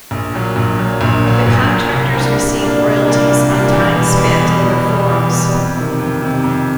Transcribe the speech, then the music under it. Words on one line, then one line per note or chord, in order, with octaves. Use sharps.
The contractors received royalties on time spent in their forums.
A#1
A#2 F#3
A#1
A#2 F#3
A#1
A#2 F#3
A#1
A#2 F#3
C2
A#2 G3 A#3 D4
C2
A#2 G3 A#3 D4
C2
A#2 G3 A#3 D4
C2
A#2 G3 A#3 D4
E2
B2 G3
E2
B2 G3
E2
B2 G3
E2
B2 G3
F2
C3 D#3
F2
C3 D#3
F2